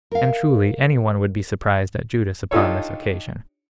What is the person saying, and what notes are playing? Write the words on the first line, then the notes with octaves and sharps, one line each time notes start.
And truly any one would be surprised at Judas upon this occasion.
A#4 F5
D4 D#4 F4 G4 A4 C#5